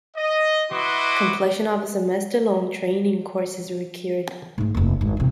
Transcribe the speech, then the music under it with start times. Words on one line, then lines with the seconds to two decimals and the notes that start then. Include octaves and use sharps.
Completion of a semester long training course is required.
0.16 D#5
0.71 E4 F#4 B4 D#5 C6 D6
4.58 G#2 A3
4.75 F1 A#3
5.01 G#1
5.17 E2 C3